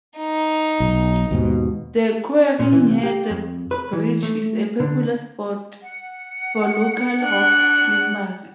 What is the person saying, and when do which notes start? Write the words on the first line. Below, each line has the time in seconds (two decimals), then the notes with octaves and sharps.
The quarry near the bridge is a popular spot for local rock climbers.
0.18 D#4
0.80 B1
1.31 D#2 G#2 B2
2.59 A#2
2.72 E3
2.87 C2
3.03 G4
3.30 F2
3.71 B4
3.93 E3
4.23 A3
4.80 D3
5.83 F#5
7.21 D4 F#6